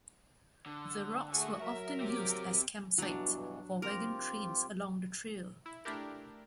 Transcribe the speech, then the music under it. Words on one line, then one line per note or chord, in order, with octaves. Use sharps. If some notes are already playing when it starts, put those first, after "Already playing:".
The rocks were often used as campsite for wagon trains along the trail.
D3
A3 F#4 G#4
F#3 A#4 E5
C4 G4 D6
G2 B2 E3 F#3 D4
C4 F4 G4 A#4
E4
A3 D4 E4 G4 A#4